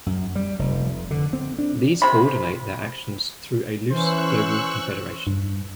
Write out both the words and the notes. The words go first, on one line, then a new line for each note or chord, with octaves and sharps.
These co-ordinate their actions through a loose global confederation.
F#2
G3
F1
F2
D3
C4
D4
C3 B5
E3 C#4 C5 C#6 E6 F#6
G2